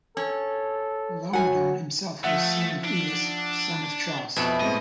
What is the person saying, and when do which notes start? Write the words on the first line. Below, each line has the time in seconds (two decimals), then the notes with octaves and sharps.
Laomedon himself was son of Ilus, son of Tros.
0.17 C#4 A4
1.33 F#3 F#5 G#5
2.24 F3 A3 E5 F#5
2.85 D4
4.36 F2 B2 E4 F#5 E7
4.61 A2 G#3 C4 D#5